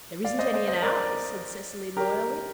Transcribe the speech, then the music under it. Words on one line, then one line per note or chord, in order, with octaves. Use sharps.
"There isn't any in ours," said Cecily loyally.
D5 F5
C5 D#5
C5 D#5
C5 D#5
A#4 D5
G4 A#4